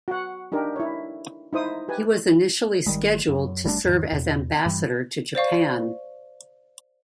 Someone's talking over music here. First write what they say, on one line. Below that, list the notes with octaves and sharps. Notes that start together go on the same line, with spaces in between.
He was initially scheduled to serve as Ambassador to Japan.
F#4 F#5
D4 D#4 G4 A#4
E4 C#5
D#4 E4 C5 D#6
G4 B4 G#5
G#1 D#3 G3 G#3
F#2
F#1 G3 A3 D4
E2 G#2 D#3
E2 B2
G2 E3 G3
C5 D5 F5 C#6